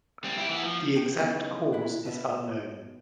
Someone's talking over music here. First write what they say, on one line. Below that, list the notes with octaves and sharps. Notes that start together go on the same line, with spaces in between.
The exact cause is unknown.
G3 C4
E4 G4
E3 B3
F3
B2 G4
F#2 C#3 E3 B3 D#4 F4
D4 E4
B2 B4 D#5 E5